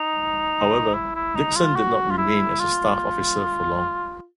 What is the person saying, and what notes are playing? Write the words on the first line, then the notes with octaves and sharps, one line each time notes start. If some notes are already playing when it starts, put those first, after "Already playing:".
However, Dickson did not remain as a staff officer for long.
Already playing: D#4
E4
E4
D#4
F4
F#4
F4
E4
F4